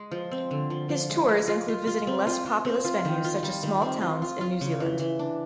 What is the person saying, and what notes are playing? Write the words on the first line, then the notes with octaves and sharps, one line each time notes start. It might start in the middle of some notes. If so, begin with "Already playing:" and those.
His tours include visiting less populous venues such as small towns in New Zealand.
Already playing: G#3
F3
C4
D3
F3
F3
G#3
G#3
F4
F4
F4
C4
F4
F4
C4
F4
D#3
F4
G3
D#3
C4
F4
F4
F4
C#3
E3
E3
D4